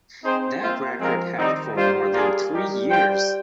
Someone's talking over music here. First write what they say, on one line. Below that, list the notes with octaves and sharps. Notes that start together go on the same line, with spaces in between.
That record held for more than three years.
C4 D#4 G#4 C5 G5
A#3 C4 F4 C5
F3 G#3 C4 F4 A#4
D#3 G3 C4 D#4
G3 A#3 F4 C5
A#3 D4 F4 G#4
G3 D#4 G4 A#4
F4 C5 G5